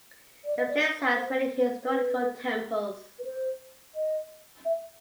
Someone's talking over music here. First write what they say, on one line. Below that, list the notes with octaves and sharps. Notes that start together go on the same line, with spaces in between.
The place has many historical temples.
D5
D#5
D5
C5
B4
B4
C5
D#5
E5